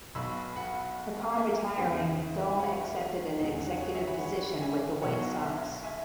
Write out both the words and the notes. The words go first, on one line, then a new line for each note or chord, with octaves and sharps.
Upon retiring, Thome accepted an executive position with the White Sox.
B1 B2 F#3 B5 E6
F#5 B5
E5 G#5
E2 C#3 E3
E5
E5
G#5
C#5 F#5
E5
E5
C#5
E1 E2 C#3 F#5
G#5
C#5 F#5
C#5 F#5
E5 G#5
F#5 B5
C#5 F#5
E5 G#5
B1 B2 F#3 C#5 F#5
E5
E5 G#5